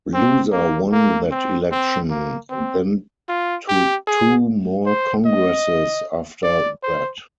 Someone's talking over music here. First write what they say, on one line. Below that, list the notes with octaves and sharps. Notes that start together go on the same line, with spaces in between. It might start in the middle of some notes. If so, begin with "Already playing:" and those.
Loser won that election, and then to two more Congresses after that.
C4
A#3
A#3
C4
C4
A#3
C4
F4
G4
G#4
C5
D#5
D5
C5